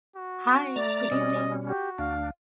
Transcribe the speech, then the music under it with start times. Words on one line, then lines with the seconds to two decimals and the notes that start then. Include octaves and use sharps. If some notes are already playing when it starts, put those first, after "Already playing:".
Densely rich cemetery songs.
0.16 F#4
0.76 A3 D5 A#5 A6
1.11 B2 G3 C#4 D#5
1.67 F#4 G4
1.98 D2 D4 F5